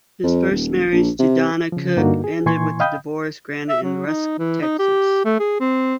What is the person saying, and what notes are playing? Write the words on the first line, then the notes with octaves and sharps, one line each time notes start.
His first marriage, to Donna Cook, ended with a divorce granted in Rusk, Texas.
F2
D#1
A#1
C3
C#3 F3
G2 D3 A#3 D#4 F#4
G#4
A#2 E3 G#5 C6 C#6 G#6
D#5 F5 G5 B5 D#6 G6
E5
F#3
D#4
E3
D#4
G4
A3
G#4
C4